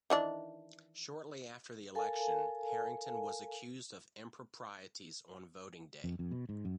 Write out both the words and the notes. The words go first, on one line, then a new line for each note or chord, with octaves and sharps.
Shortly after the election, Harrington was accused of improprieties on voting day.
D#3 E3 D4
A4 A#4 F5 G#5 A5
F2
F2
B2
G#2
F#2